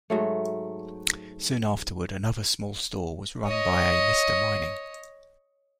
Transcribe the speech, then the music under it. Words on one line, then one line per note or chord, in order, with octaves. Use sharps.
Soon afterward another small store was run by a Mr. Mining.
G#2 F#3 A3
C#5 D#5